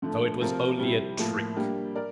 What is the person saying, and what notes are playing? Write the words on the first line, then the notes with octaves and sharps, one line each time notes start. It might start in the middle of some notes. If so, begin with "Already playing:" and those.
So it was only a trick!
D3 F3 A3
C3 F3 C4 F4 A#4
C3 G3 C4 E4 G4
A2 F3 A#3 F4
G3 A#3 D4 G4
A#4 D5